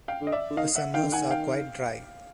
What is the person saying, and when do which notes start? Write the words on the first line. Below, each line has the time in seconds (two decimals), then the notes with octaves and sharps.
The summers are quite dry.
0.08 F5 G5
0.21 D3
0.27 D#5
0.32 D5 E5
0.51 D3
0.57 D#3 D#5 F5
0.75 E5 F#5
0.94 D#3 F5 G5
1.04 D3
1.12 D#3 F#5 G#5
1.31 F5 G5